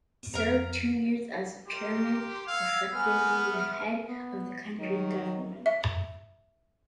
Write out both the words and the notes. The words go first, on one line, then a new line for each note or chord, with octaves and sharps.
She served two years as chairman, effectively the head of the county's government.
F2 A#4 A#5
G4 A#4 C6
F5 F#5 E6 G#6
B3 A#4 G#5 F6
E5
B3
D#3 F#3
E5